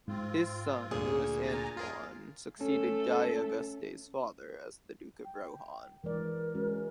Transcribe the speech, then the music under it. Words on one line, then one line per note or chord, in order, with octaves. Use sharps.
His son Louis Antoine succeeded Guy Auguste's father as the Duke of Rohan.
G#2 C4 F4
D2 A#2 G#4
G#5 A#5 A6
F#2 F4 G#4 A#4
A3 C#4 A4
G5
E3 G#3 A#4 D5
G#3 C#4 F#4